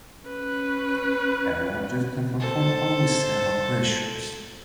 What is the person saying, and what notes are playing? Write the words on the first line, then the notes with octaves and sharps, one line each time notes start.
Every object can perform only a set of operations.
C#4 B4
A4 C5